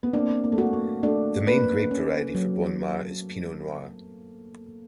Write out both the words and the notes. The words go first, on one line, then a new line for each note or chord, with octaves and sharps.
The main grape variety for Bonnes Mares is Pinot Noir.
B3
A#3 C4 D4
A#3
A3
A#3 F#4
A#3
A3 D4
A#3 B4
C#4
F#3